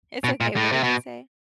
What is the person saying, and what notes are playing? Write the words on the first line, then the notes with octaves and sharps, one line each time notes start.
it's okay, what did you say?
B2
A#2
A2
C3
B2